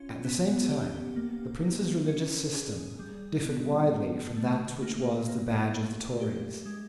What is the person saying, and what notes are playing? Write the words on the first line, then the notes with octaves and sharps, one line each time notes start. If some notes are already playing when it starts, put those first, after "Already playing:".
At the same time the Prince's religious system differed widely from that which was the badge of the Tories.
Already playing: C#4 F4
B3
G4
A#3
A#3
C#4
G#4
G3
B3
D3
A3
A#3
A#3
A3
G4
G#3